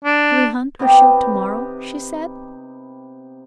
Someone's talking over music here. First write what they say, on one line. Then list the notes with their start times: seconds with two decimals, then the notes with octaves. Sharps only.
"Do we hunt or shoot to-morrow?" she said.
0.04 D4
0.79 C3 B3 D#4 G4